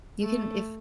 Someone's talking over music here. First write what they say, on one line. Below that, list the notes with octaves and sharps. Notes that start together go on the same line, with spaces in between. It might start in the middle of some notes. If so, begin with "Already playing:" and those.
you can if
A3